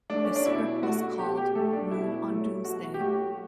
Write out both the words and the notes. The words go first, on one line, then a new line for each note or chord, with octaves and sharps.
The script was called "Noon on Doomsday".
A3 D4
C#4
D4
B2 E4
A3 F#4
B2 G4
G4
A3 A4
D4
B2 E4
F#3 A3
B2 F#4
G4
F#3 A3 F#4